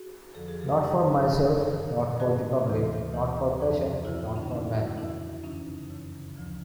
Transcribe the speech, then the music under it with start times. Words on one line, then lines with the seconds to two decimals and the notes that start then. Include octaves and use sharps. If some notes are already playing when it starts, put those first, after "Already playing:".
Not for myself, not for the public, not for fashion, not for men.
Already playing: F#4 G#4
0.35 F2 D3 F3 A4
0.48 G#4
0.61 G4 A4
0.81 F#2 C#3 E3
1.27 F#2 C#3 E3
1.74 G2 D#3
2.20 G2 D#3 F#4 G#4
2.66 D2 C3 E3
3.12 D2 C3 E3
3.59 F2 D3 F3
4.05 F2 D3 F3 E4 F#4
4.20 D#4 F4
4.36 C#4 D#4
4.51 F2 C#3 E3 D4 E4
4.74 E4 F#4
4.97 F2 C#3 E3 D4 E4
5.44 F#2 C#3 E3 C#4 D#4
5.90 F#2 C#3 E3
6.36 D2 D3 F3